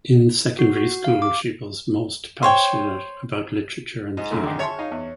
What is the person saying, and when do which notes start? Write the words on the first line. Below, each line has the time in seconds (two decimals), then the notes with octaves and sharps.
In secondary school she was most passionate about literature and theater.
0.59 F#4
0.77 F#4
1.04 F5
1.22 D6
2.43 C5 C#5 G5
4.17 G#2 D#5
4.31 F#2 F#3 A3
4.43 D3 D#3
4.59 C#5 E5 A5 C6
4.78 D#4 D#5 F5
4.91 E2